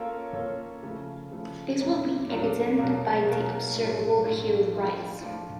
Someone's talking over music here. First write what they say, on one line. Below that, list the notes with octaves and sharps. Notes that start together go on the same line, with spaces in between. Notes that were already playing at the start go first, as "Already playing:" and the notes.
This would be evident by the observable heel rise.
Already playing: A#3 C#4 F4 A4 C#5
A#3 C#4 F4 A4 C#5
C#3 F3 A3
C#3 F3 A3
A#2 F#3 A3 D4
A#2 F#3 A3 D4
B2 F#3 A#3
B2 F#3 A#3
A2 F#3 A3 D4 F4
A2 F#3 A3 D4 F4
F3 A3 D4 F4
F3 A3 D4 F4